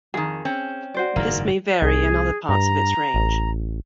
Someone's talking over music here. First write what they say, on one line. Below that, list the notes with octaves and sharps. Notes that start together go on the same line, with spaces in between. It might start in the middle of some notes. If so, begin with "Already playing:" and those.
This may vary in other parts of its range.
F2 D#3 G#4
C4 C#4
F#4 C5 D5
F#1 G#2 D#3 A#3
C2 G#4
G2 A#5
A1